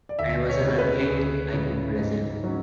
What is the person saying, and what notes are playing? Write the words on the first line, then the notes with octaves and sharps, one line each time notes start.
I was an athlete, I could wrestle.
D5
D2 E5
C#5
C#3 G#3
B4
D2 G#4
C#3 G#3
G#2
F#3 C#4